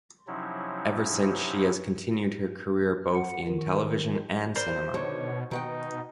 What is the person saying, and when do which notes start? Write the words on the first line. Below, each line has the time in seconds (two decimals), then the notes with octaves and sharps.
Ever since she has continued her career both in television and cinema.
0.27 C3 F3 F#3 C#4 D#4 E4
3.14 F#5
3.48 D#3
4.56 A#4 C5 D5 B5 C6
4.94 B2 D3 D#3 C#5
5.51 B2 D#3 D#4 F#5 G5